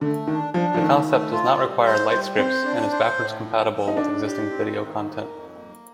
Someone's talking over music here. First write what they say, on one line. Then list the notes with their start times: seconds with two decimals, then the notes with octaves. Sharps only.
The concept does not require light-scripts, and is backwards compatible with existing video content.
0.01 D3 A3
0.27 D#3 D4
0.54 F3 D4
0.74 F3
0.80 D#3 A3
1.07 A3
1.33 F4
1.59 G3
1.86 C5
2.12 G3
2.38 C4 C5
2.64 D4
2.91 C5
3.17 A2
3.44 F3
3.71 F3
3.88 D#4
3.96 A2 D4
4.24 G4
4.50 C4
4.77 D#3
5.03 A#3
5.30 F2
5.55 A#3